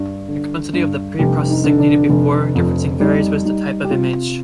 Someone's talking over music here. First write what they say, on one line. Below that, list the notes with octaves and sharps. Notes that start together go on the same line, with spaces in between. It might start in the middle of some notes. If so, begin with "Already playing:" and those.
The complexity of the pre-processing needed before differencing varies with the type of image.
Already playing: G2
D3
G2
F1 G4
D#4
D3
D4
F1
F2
G3 D#4
G3 D#4
G4
C3 F4